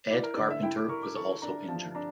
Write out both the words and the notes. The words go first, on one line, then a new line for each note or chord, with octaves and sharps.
Ed Carpenter was also injured.
E4 D5
A#4
D3 D5
E5
E4 G5
D6
A#4 C#6
D6
A4 C#6
D4 A#5
F3 A5
D4 A#5